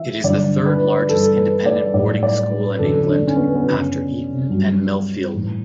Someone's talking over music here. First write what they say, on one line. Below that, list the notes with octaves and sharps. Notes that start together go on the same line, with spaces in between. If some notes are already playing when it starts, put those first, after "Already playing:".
It is the third largest independent boarding school in England, after Eton and Millfield.
Already playing: E3 E5
G2 D3 F#3 D5
B4
G2 E3 A4
B4
D5
A2 F#3 D5
D5
B4
E2 D3 F#3 A4
D4
C#4
B3
B3
F#2 C#3 F#3 C#4
G2 F#3
A2 E3